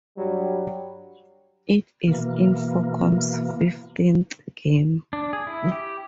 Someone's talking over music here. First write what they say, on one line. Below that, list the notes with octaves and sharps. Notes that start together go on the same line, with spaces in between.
It is Infocom's fifteenth game.
G2 F#3 G3
B2 E3 A#3
D4
G#4
E4
G4